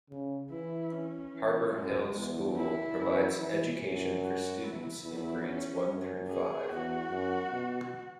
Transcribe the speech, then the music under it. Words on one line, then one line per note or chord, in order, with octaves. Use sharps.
Harbor Hill School provides education for students in grades one through five.
C#3
E3 E4
C#4
E3
F#2 G#3
E2
E4
F#2
E3
F#2
F#4
E4
E2 E4
C#4
F#2
G#4
E2 F#4
F#2
B2